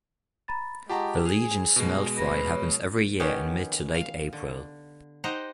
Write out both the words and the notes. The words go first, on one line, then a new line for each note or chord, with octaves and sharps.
The Legion's Smelt Fry happens every year in mid to late April.
A#5 B5 A6
G#3 F4 G4 F#5 A5 A#5 C#6
G#4 G#5 F7
B2 G#3
B4 A#6
C#5
D#3 B3 C#4 G4
F5
D3
D#4 G4 C5 D#5 F#5 A#5